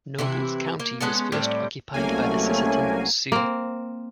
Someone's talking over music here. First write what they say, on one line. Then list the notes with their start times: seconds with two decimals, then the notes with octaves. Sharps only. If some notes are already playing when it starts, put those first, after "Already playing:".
Nobles County was first occupied by the Sisseton Sioux.
0.18 C3 E3 E4
0.80 A#3
1.01 G#3 B3 C#4 A4
1.32 A2 G3 C4
1.94 C2 F#3 A3 A#3 C#4 G#5
3.32 A#3 C4